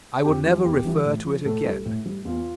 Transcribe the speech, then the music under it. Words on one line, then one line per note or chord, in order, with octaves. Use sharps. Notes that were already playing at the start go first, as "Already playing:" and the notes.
I will never refer to it again.
F2 G4
E3 G3
E2 G4
E3 G3
A2
F3
A2 A4
G3
A2
G3
E2 F4